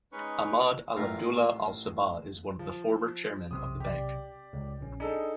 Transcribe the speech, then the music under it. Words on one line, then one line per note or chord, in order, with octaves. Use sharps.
Ahmad Al Abdullah Al Sabah is one of the former chairmen of the bank.
G#3 C#4 D#4 B4 C#6
A1 F4 A#4 E5
F3
B1 C3 D#6
G4 D5
C#2
A#1 C#4
D4 D#4 G#4 A4